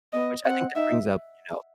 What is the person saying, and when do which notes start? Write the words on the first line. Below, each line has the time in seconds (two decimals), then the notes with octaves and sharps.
which I think that brings up, you know,
0.13 B3 D#5
0.45 C4 F#5
0.75 D#4 E5